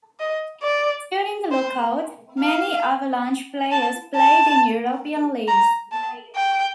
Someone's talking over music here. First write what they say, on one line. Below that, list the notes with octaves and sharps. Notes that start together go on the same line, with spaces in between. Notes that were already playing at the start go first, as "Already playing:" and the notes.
During the lockout, many Avalanche players played in European leagues.
D#5
D5
C5
F5
A5
A5
A#5
A5
G5